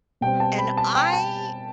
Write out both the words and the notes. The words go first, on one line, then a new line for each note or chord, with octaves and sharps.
and I,
B2 G3 C4 G5
A5
B5
A5
G5
A5